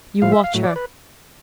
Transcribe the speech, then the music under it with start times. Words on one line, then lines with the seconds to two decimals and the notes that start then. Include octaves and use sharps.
You watch her.
0.22 A2 F3 F5
0.32 E5
0.44 F5
0.54 A2 F#3
0.64 D5
0.76 B4